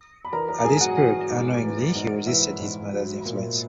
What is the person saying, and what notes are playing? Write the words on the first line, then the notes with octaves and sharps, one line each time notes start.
At this period, unknowingly, he resisted his mother’s influence.
B5
E3 A#4 A#5
A#4 A#5
A#5
G#2 G#4 G#5
G#5
F#4 F#5
E3 F#4 F#5
G#2
E3
G#2
E3 E4 E5
G#2
F#3
A#2